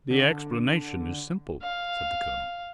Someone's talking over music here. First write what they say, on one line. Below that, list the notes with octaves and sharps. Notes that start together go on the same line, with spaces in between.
"The explanation is simple," said the colonel.
D3
F5